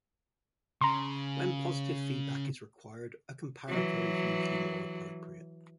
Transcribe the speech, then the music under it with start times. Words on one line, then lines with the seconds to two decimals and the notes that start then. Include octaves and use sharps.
When positive feedback is required, a comparator is usually more appropriate.
0.81 C#3 A#5 C6
3.68 E3 F#3